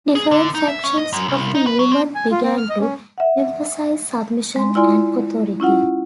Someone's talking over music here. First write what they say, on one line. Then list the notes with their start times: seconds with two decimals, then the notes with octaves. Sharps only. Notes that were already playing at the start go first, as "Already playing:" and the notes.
Different factions of the movement began to emphasise submission and authority.
0.15 G#4
0.31 D3
0.55 D#4
0.68 E5
0.84 C#4
0.98 D#5
1.13 F#2
1.28 C2
1.55 D#4
1.67 B4
1.79 F#3
1.92 C4
2.15 G#5
2.32 F4
2.43 C4
2.57 F6
2.70 D#5
2.81 C#4
3.18 E5 F#5
4.56 G#3 C6
4.75 E4 F4 D5 G#5 C6
5.60 C#4 E4 F4 F#5